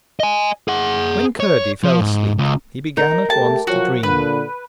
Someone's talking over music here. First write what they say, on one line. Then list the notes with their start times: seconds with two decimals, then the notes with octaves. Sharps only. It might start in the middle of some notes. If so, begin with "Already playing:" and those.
When Curdie fell asleep he began at once to dream.
0.20 D#5 G#5
0.68 G#4 F#5
1.40 C#5
1.84 F3
2.01 G#2
2.38 C#2
2.97 D#4 A#4
3.30 A3 G4 A5
3.67 F3 F#3 F#4
4.03 A#2 D3 B4